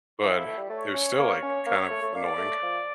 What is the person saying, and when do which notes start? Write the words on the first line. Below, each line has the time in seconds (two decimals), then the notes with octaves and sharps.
but it was still, like, kind of annoying.
0.21 E3 E4
0.34 F3
0.45 A3
0.58 G3
0.70 A3 C#5
0.93 C#4
1.18 A#3
1.42 C#4
1.66 A#3
1.90 A3
2.02 A3
2.14 A#3 D5
2.38 A3
2.62 F3